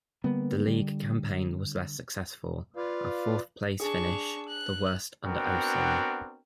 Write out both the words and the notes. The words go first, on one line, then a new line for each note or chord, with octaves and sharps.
The league campaign was less successful - a fourth-place finish, the worst under Osim.
D3 G3 A#3 B3
D3 G3
F4 B4 D5 F5
D4 G#4 C#6
F#6
B3 C4 D4 F#4 A#4 G5